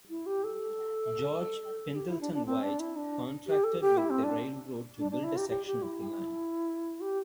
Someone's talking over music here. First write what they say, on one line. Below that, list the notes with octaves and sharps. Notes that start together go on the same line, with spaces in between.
George Pendleton White contracted with the railroad to build a section of the line.
E4
G4
A4
G4
E4
D4
D4
C4
D4
E4
D4
G4
A4
G4
E4
C4
D4
D4
D4
E4
G4
G4
G4
E4
G4